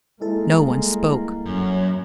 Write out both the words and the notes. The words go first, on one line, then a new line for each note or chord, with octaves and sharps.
No one spoke.
G3 G#3 A#3 E4 A4
F#2